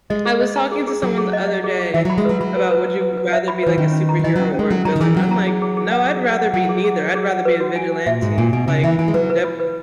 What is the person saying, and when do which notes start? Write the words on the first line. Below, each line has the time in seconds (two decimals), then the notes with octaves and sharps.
I was talking to someone the other day about, "Would you rather be like a superhero or a villain?" And I'm like, no, I'd rather be neither, I'd rather be a vigilante like Deadpool.
0.10 G#3 D#5
0.25 G#4
0.41 D#5
0.56 A#5
0.72 G#4
0.87 G#4
1.02 F#3 G#4
1.18 G#4
1.33 D#5
1.48 D#5
1.64 G#4
1.79 G#4
1.94 E3 E5
2.05 F#3 B5
2.18 G#3
2.25 F#3 B4
2.41 F#3 B5
2.56 B4
2.71 B4
2.86 B4
3.01 B4
3.17 B4
3.33 E5
3.48 B5
3.63 E3 B4
3.78 D#3 C#4
3.93 C#4
4.09 A#5
4.19 F#3
4.24 E3 D#5
4.36 F#3 C#4
4.54 G#3 C#4
4.69 F#3 C#4
4.85 F#3 A#5
4.96 D#3
5.00 E3 G#4
5.17 F#3 C#4
5.31 A#5
5.47 G#4
5.62 G#4
5.77 G#4
5.92 F#5
6.08 G#4
6.24 G#4
6.38 F#5
6.54 F#3 F#5
6.69 G#4
6.84 G#4
6.99 C#5
7.15 G#4
7.30 F#5
7.45 B4
7.60 F#4
7.76 G#5
7.92 G#5
8.06 A#2 E5
8.22 G#2 F#4
8.38 A#2 G#5
8.53 B2 G#5
8.68 C#3 G#5
8.84 E3 E5
8.99 E3 G#5
9.08 G#3
9.14 F#3 B4
9.30 B4
9.45 B5
9.60 B4